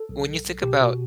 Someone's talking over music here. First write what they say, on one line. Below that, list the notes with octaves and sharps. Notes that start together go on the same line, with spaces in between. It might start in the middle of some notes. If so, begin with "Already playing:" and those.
when you think about
Already playing: A4
B1
B1
B1
B2 G4
B2 F#4